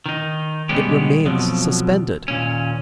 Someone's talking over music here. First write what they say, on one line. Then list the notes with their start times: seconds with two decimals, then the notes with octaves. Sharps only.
It remains suspended.
0.06 D#3 D#4
0.69 B2 G3 G#3 B3 C#4 G4
1.26 F2 B2 F3 F#3
2.28 D#2 A#2 C#4